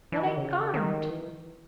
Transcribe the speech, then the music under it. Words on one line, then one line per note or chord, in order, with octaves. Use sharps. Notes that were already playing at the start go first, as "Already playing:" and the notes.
But I can't.
E3
D#3
C#3
D#3
E3